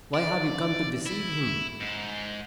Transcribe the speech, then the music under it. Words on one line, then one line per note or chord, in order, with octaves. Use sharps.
Why have you come to deceive him?
D5
E4
G#2